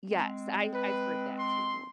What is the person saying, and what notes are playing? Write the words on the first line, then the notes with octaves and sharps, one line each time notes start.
Yes, I I've heard that too.
G#3 C4
B4
C6